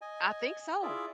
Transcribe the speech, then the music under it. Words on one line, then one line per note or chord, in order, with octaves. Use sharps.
I think so.
D#5 G#5
E4 F4 G#4 D5 E5